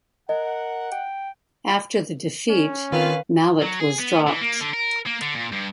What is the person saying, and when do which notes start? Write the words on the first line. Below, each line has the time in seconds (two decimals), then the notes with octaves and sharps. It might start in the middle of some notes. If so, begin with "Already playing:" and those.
After the defeat, Mallett was dropped.
0.29 A#4 D#5 F#5
0.92 G5
2.49 C#4
2.92 D#3 A#3 C4 F4 B4 F5
3.62 F#3
3.80 G#4
3.99 B3
4.28 E3
4.41 A#3
4.60 D3
4.73 A#4
5.06 A#3
5.21 D3
5.35 A#2
5.52 G2